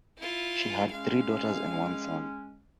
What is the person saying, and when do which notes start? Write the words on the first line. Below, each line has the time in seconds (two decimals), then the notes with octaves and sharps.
She had three daughters and one son.
0.17 E4 F4
0.91 G#3 C#4 F5